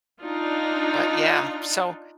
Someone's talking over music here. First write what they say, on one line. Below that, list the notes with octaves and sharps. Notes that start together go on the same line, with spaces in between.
but yeah, so
D4 D#4 F4